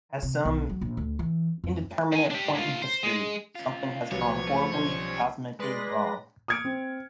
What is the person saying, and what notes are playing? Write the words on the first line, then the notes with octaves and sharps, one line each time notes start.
At some indeterminate point in history, something has gone horribly, cosmically wrong.
C3
B1
F#3
A#1
D2
E3
F2
D#3 G#5
D4 G4
D#2 F4
C5
G#3
C#4 F4
C2 F3 F#3 B3 C#5
A3
B1 G3 C#4 C6
G#3 B4 D5 C6 A#6
D#6 F6 G#6 C#7 D7
C4